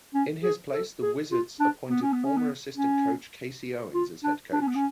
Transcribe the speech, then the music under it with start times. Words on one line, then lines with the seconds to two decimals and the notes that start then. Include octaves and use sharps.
In his place, the Wizards appointed former assistant coach Casey Owens as head coach.
0.14 C#4
0.43 G#4
0.73 A4
1.02 G#4
1.32 F4
1.60 D4
1.89 B3
2.02 C#4
2.13 B3
2.24 C#4
2.37 B3
2.77 C#4
3.94 F4
4.23 D4
4.52 D4
4.61 C#4
4.67 B3
4.75 C#4